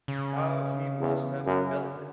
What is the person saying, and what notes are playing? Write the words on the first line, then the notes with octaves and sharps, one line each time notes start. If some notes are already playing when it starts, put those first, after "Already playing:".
How he must have felt it!
C#3
E2
F#2
D3